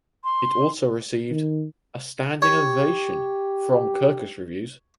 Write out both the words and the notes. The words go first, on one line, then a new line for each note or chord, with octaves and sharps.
It also received "a standing ovation" from "Kirkus Reviews".
C6
D#3
G4 C#5